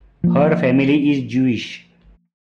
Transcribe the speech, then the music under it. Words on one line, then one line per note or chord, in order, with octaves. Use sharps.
Her family is Jewish.
F3 A#3